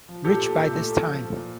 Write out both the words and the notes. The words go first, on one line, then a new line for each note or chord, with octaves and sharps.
Rich by this time.
F3
A#2 G4 A4
A#2
A#2
A3
A#2
F3
F3
A#2